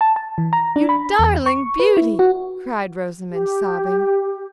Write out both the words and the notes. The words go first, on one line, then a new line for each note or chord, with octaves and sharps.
"You darling beauty!" cried Rosamond, sobbing.
A5
A5
E3
A#5
D4
B5
E2
C#6
B4
E4
F#4
G4